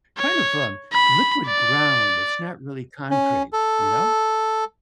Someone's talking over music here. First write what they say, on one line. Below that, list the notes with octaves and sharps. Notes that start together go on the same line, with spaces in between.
kind of, um, liquid ground, it's not really concrete, you know?
C#5
B5
D5
C#4
A4